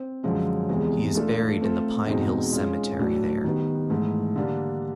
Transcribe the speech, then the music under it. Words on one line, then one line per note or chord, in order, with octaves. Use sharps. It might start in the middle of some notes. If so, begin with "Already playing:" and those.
He is buried in the Pine Hill Cemetery there.
Already playing: C4
F#2 D3 F3 G#3 C#4
E2 C3 E3 G#3
A3 D4 F4 A4
A3 C4 F4 A4
E2 B2 G#3 C4 D#4
G#3 C#4 F4
A2 F#3 A3 D4 F#4
D#3 G3 B3
G#2 E3 A3
D3 G3 A#3 D4